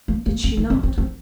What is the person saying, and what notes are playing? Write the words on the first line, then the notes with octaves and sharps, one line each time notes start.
Did she not?
A#3
A#3
C4
D#4
C4
C4
C4